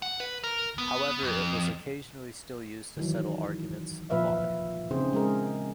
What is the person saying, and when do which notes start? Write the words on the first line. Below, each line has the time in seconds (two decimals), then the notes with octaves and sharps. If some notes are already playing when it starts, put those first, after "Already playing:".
However, it was occasionally still used to settle arguments "of honor".
0.02 F#5
0.20 B4
0.44 A#4
0.78 B3
1.23 F2
2.97 D#3 E3 F#3
4.10 A#2 F3 B4 E5 F5
4.91 C#3 C4 D#4 G#4 C5
5.13 G#3 G#4 A#4